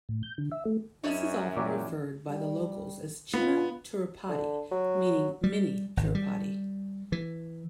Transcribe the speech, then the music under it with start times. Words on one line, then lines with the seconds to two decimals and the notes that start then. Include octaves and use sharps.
This is often referred by the locals as "Chinna Tirupati", meaning mini Tirupati.
0.09 A2
0.23 G6
0.38 D3
0.52 E5
0.65 A3
1.04 F#2 C#4 E4 C#5 D#5 E5
1.56 A#2 E3 F#3 G4 D5 D6
2.27 G3
3.34 B2 B3 F4
4.29 D3
4.71 F#3
5.44 G3
5.97 G#1
6.15 G3
7.12 E3